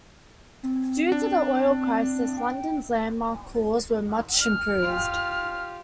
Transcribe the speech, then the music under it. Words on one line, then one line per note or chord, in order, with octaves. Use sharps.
Due to the oil crisis London's landmark halls were much improved.
C4
D4
G5
F6
F4 G4